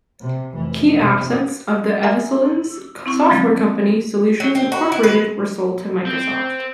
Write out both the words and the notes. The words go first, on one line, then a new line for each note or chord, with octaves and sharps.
Key assets of the Evslins' software company, Solutions, Incorporated were sold to Microsoft.
C3
F1 E3
G1 C3
A#4 E5 F#5 G#5 A#5
C4 E4 C#6
D3 F3 F#3 G#3 A#3 C4
F#3
C4
F#4
E4
B4
C4